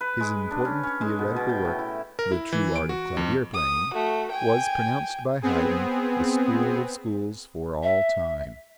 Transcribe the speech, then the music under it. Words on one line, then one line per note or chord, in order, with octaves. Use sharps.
His important theoretical work, "The True Art of Clavier Playing," was pronounced by Haydn the school of schools for all time.
B4
G#3
D4
C#4
C#4
G#3
B2
B2
G5
A2
E4
A#4
E4
E3
D7
F#4
F2
D#6
A3 F#4
G5 G#5
B3 C4 G#4
E5